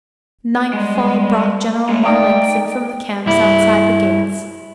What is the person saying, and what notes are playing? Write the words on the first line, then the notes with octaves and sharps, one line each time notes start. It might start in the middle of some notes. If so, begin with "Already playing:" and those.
Nightfall brought General Marlanx in from the camps outside the gates.
G3 G#3
D#3 G#3 A3
D#4 D5 G5 D#6
G2 E4